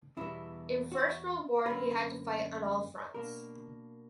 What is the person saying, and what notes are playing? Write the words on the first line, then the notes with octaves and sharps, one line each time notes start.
In First World War he had to fight on all fronts.
E2 B2 G3 B3 E4
F#4
F#2 D3 A#3 B4
B2 A#3 D4 A#4